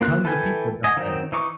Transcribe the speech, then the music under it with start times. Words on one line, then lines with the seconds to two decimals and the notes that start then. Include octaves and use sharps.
tons of people die.
0.01 A#3 F4 F#6
0.24 E3 A4 B4 G5 G#5
0.84 D#5 G#5
0.97 D#3 F#3 C4 D#4
1.32 E3 D#4 C#6 D6